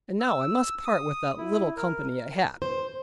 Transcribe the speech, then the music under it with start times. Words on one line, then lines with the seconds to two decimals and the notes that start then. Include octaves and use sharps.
And now I must part with that little company I had.
0.20 E6
0.85 D#6
1.38 E4
1.77 A#4
2.62 C5